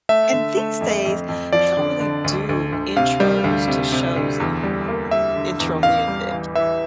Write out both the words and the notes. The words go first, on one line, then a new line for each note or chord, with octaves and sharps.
And these days, they don't really do intros to shows anymore. Intro music.
A3 E5
D3
A3
F2
F2
F2
F3 D5
D3
D3
D2
D2
D2
C3 F5
G3
D2
C3
C3
D2
E2
G3
A#3
G3 E5
D3
E2
A1 F5
G3
E3
E3 E5